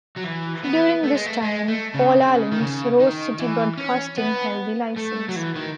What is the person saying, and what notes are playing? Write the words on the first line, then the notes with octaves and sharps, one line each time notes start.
During this time, Paul Allen's Rose City Broadcasting held the license.
F#3
E3
B3
A3
G#3
A3
G#3
A3
C#3
C#3
D#3
C#3
D#3
E3
C#4
B3
A3
F#3
E3
D#3